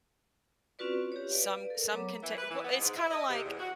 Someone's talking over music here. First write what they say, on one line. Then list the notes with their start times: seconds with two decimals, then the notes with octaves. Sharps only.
some some can ta well, it's kinda like,
0.79 C4 C#4 F4 F#4 B4 D5
1.12 G4 C#5
1.30 B4 D5 F5
1.70 A4 A#4
1.91 F#3 B3 C#5 A#5 D6
2.22 E3
2.38 B4
2.49 E3
2.64 B3
2.79 G#2
2.95 E4
3.11 D#5
3.28 C3
3.44 E2
3.59 F#4